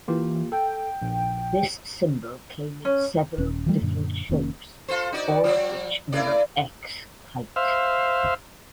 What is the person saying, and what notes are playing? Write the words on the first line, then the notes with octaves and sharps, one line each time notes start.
This symbol came in several different shapes, all of which were of x-height.
E3 A#3 F4 G4
A4 G5
A#1
C#4
D#1 C#4
E3 F3 G3 A3
F#2 A#2 D3
F1 D#3 A#3 C#4
F4 A4 C5
D#4 F#4 D5
F3 G3
A3 E4 D5
C5 E5 F5